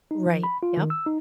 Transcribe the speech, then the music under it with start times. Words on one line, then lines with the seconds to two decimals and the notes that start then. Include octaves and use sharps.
Right, yup,
0.11 D#4
0.26 F3
0.43 B5
0.63 F4
0.77 D#3
0.90 E6
1.06 D#4